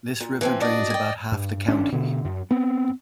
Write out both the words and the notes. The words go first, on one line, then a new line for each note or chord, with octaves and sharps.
This river drains about half the county.
A#2
E3 F3 C4
D4 F#4 D5 D#5
G5 G#5
G2
G#1 C#4 D4
B2 D3
F#2
B3 C4